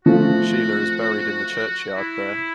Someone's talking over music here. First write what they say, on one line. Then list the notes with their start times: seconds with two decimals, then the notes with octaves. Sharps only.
Sheila is buried in the churchyard there.
0.05 F3 A3 C4 F4 F#4
1.95 E4